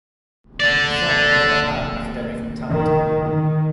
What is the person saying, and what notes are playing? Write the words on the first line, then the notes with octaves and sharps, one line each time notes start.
Cheung never had academic talent.
D3 D5
D#3
D#3